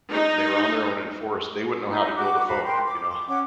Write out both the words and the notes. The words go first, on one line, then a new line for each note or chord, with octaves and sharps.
they were on their own in a forest, they wouldn't know how to build a phone, you know?
D#4
D#4 E4 D#5 A#5
F#4 F#5 D6
F#4 F5 B5
A#4 G5 C6
D6
C#4 F#5 D6